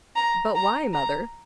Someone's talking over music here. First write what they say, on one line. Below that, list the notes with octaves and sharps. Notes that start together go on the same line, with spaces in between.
"But why, mother?"
A#5
A#5
A#5